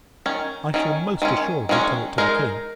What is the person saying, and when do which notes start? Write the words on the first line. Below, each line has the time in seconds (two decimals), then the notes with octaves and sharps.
I shall, most assuredly, tell it to the King!
0.26 D#3 C#4
0.74 D#3 C#4
1.22 D#3 G#3 C#4
1.69 D#3 G#3 C#4
2.18 G#3 D#4 A#4